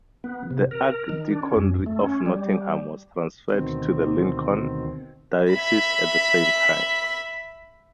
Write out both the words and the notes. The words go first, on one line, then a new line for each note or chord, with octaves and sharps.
The Archdeaconry of Nottingham was transferred to the Lincoln diocese at the same time.
B3
C3
A#4
D#3
D4
C#4
F#2
A3
C#4
G3
D2 B2 D#3 C4
E5 B5